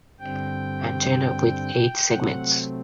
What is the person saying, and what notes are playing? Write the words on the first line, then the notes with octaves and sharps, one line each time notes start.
Antenna with eight segments.
G2 D3 G3 C4 G5
C3 F#3 A3 C4 F#5